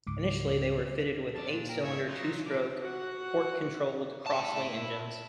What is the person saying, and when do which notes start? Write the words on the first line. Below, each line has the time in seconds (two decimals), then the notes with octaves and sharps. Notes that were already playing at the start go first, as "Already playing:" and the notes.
Initially they were fitted with eight-cylinder two-stroke, port-controlled Crossley engines.
0.07 C#2 G#2 D6
1.35 F2 D5 A5
1.48 A#2 D4
1.69 A#4 G5
1.84 G#2 C#5 E5
2.08 F#3 D#4 F4
2.46 D3 E3 D4 D6
2.81 F#4 F#5
4.26 E4 A5